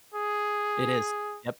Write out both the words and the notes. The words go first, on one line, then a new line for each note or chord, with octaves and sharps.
It is. Yep.
G#4